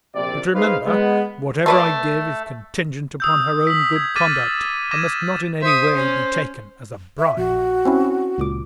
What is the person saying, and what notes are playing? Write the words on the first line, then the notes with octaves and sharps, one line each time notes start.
But remember, whatever I give is contingent upon her own good conduct, and must not in any way be taken as a bribe.
A#1 C3 D5
D#4 G#4 B4 C5 F5
G#3 B3
A3 B4 D5
D#6 E6 G6
B6 F#7
D#6 G#6
D6 F6 G6 A6 B6 D#7
D6 G#6 A#6 D#7 E7
C5 E5 D#6
C#4
E5
A#1 F#4
C4 C#4 E4
C#2 A#2 D6